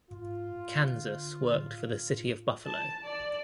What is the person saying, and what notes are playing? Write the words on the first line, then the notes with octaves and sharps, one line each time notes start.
Kansas worked for the city of Buffalo.
G#2 F4
D3
A2
A5
D5